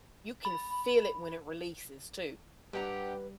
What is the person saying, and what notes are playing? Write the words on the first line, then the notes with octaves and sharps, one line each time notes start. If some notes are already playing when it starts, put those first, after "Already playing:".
you can feel it when it releases, too.
B5
G2 G3 G4 B4 F#5 A#5